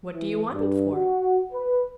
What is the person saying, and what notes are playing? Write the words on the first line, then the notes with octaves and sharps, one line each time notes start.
What do you want it for?'
E3
G2
F#4
B4